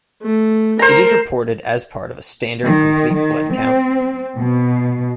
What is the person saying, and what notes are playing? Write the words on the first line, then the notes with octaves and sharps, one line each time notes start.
It is reported as part of a standard complete blood count.
A3
A#4 C5 A#5
D#3
D#3
C4
B2